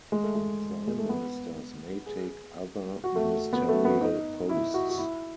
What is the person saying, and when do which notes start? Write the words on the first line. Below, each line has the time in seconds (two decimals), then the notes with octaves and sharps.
Prime ministers may take other ministerial posts.
0.12 G#3
0.23 A3
0.35 G#3
0.87 G#3
0.98 A3
1.09 B3
2.06 G#4
3.04 F#4
3.15 A3
3.53 B3
3.69 A3
3.85 B3
4.01 D#4
4.49 E4
4.74 F#4
4.89 F#4
4.98 E4